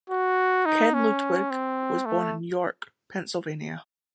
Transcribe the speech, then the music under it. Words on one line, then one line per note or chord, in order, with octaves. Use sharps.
Ken Ludwig was born in York, Pennsylvania.
F#4
D#4
C#4
C4
A3